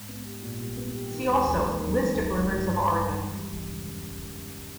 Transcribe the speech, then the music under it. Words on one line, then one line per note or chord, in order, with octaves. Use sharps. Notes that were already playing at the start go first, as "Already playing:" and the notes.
See also List of rivers of Oregon.
Already playing: G#2
B3
G4
A#2
G3
B3
G4
D#3
E1
E1
D#2
D#3
E1
D#3
G#3
G1
G2
D#3
G#3
E3
G3
E2
C#3